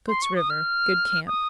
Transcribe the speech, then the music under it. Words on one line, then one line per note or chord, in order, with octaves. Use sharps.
Soot's River.--Good camp.
C6
C#6
D#6
F6
D#6